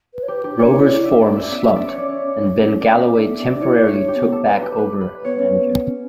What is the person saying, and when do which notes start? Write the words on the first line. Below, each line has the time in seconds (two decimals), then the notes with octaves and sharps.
Rovers' form slumped, and Ben Galloway temporarily took back over as manager.
0.13 B4
0.22 C#5
0.28 G4 B4
0.44 D4 G4
0.59 D4 C#5
0.75 E4
0.83 D5
0.90 E4
1.05 D4 E5
1.22 D5
1.29 C#4
1.36 E5
1.52 B3 E5
1.65 C#4 E5
1.76 D4 D5
1.83 C#4 C#5
1.99 D5
2.08 C#5
2.81 D5
2.92 E5
3.15 D4 E5
3.27 B3
3.39 D5
3.52 D4 D5
3.61 E4 C#5
3.85 C#5
4.01 D4
4.08 G4
4.16 B3
4.32 A4
4.47 B4
4.62 G4
4.78 B4
5.01 B4
5.24 B3 C#5
5.39 C#4
5.52 B3
5.71 B3
5.87 C#4